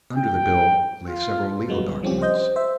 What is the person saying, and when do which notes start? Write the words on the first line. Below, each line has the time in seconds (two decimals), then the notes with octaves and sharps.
Under the bills lay several legal documents.
0.17 G5
1.08 F4
1.68 A#2 F#3 G#3 B3
1.79 G3
2.03 F3 G3 C4 C#4 F4 G4
2.22 C5 D#5 G6
2.35 C5
2.56 C5 E5